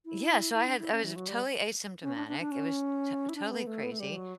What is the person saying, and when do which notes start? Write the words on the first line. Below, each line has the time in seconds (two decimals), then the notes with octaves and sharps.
Yeah. so I had I was totally asymptomatic, it was t totally crazy.
0.05 E4
0.54 E4
0.67 D4
0.79 E4
0.92 C#4
1.04 E3
1.16 F#3
1.28 G3
2.02 C#4
2.15 D4
2.28 D4
2.40 D4
2.51 C#4
3.29 E4
3.36 D4
3.43 C#4
3.51 B3
3.67 A3
3.84 B3
3.92 A3
4.00 G3
4.16 F#3